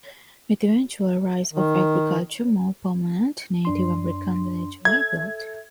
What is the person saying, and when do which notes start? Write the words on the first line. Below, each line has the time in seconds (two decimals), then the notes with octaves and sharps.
With the eventual rise of agriculture more permanent Native-American villages were built.
1.53 D#3
3.65 F#2 D4 C6
4.85 A4 E5 G#6